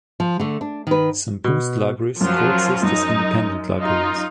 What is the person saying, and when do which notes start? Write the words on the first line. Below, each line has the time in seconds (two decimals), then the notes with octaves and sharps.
Some Boost libraries coexist as independent libraries.
0.20 F3
0.40 D3 A3
0.61 D4
0.87 D#3 B4
1.44 B2
2.21 F#2 F3 F#3 F4
2.83 F#2 D#4
3.80 D#4 F4